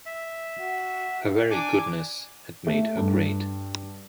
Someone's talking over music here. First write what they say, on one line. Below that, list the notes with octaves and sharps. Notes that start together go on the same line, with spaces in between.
Her very goodness had made her great.
E5
F#4
D4 G#5 D6
D5
A3
G2